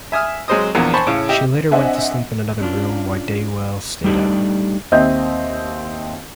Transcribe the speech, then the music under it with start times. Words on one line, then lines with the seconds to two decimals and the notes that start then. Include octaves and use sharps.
She later went to sleep in another room while Deuel stayed up.
0.12 E5 G#5 D#6 F6
0.48 F#3 G#3 C4 C5 D#5 D#6
0.75 A#1 E2 A#2 B3 A#4
0.94 C5 G#5 A5 B5 C#6
1.07 A2 C#3 F5
1.29 E4 G4 D#5 E5
1.71 C4 D4 D#5 E5 F#5 G#5
2.61 C#4 D4 F4
4.04 G3 A3 D4 D#4 G4 D5
4.92 D#2 C4 D#5 E5 G6